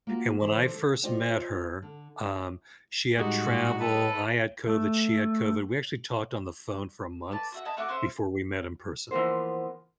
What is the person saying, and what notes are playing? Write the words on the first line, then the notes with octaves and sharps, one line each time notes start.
and when I first met her, um, she had travel I had COVID; she had COVID, we actually talked on the phone for a month before we met in person.
A#3 F4 F#4
D3 E3 C5
A4
F4 C5 D5 D#5 G5
D3
A2 G3 G#3 D#4 F#4
A4 B4
A3
B4 D5 A5
F#4 E5 F#5
D#5 G#5 A5 B5
A3 F#4 D6 F#6
C#4 C5 E5 C6
E3 F3 A#3 B3 C5